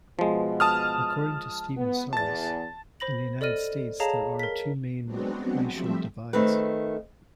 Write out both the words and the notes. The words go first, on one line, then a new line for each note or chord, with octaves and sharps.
According to Stephen Saris, in the United States there are two main racial divides.
B2 F3 G#3
A5 D#6 F6
B3
E2 A5 A6
C5 B5 A#6 F#7
A4 D5 D#5 F6 D#7
G#4 C#5 D#5 F5 A5 A#5
A#4 B6
F#3 G#3 B3 C4 D4 F#4
F3 G3 A3 C4 E5
D#3 A3 C4 B4